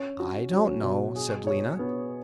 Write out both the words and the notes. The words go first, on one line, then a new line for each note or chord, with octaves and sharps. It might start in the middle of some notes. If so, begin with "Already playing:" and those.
"I don't know," said Lena.
Already playing: C#4
F#4
F#3
B2
G#4
C#5
B3